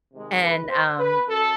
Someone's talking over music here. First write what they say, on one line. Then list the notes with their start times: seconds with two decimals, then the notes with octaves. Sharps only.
And, um,
0.14 C3 D#3 G#3
0.42 B4
0.70 C5
0.99 B4
1.27 F#2 A4